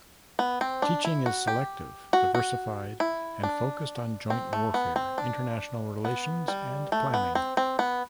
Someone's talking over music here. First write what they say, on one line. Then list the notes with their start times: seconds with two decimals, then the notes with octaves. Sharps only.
Teaching is selective, diversified, and focused on joint warfare, international relations, and planning.
0.39 B3
0.61 C4
0.82 D4
1.05 E4
1.26 F#4
1.47 G4
2.13 F#4
2.35 F#4
3.00 E4
3.43 D4
4.30 C4
4.53 A3
4.74 B3
4.96 C4
5.18 D4
6.05 B3
6.48 G3
6.92 A3
7.14 B3
7.35 C4
7.57 C4
7.79 B3